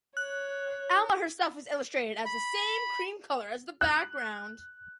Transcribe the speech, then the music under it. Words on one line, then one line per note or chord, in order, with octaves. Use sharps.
Alma herself is illustrated as the same cream color as the background.
C#5 F#6
B5
F#6